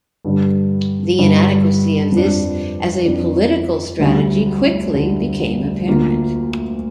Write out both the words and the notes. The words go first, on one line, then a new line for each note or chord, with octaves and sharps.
The inadequacy of this as a political strategy quickly became apparent.
G2 D3 G3
G2 D3 G3
F2 F3 D4
F2 F3 D4
D2 D3 G3
D2 D3 G3
D2 D3 A#3 F4